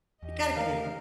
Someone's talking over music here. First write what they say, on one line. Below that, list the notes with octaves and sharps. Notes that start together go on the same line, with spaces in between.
You gotta give me one.
E2 G4 D#5
D#3 A3 A#4 F5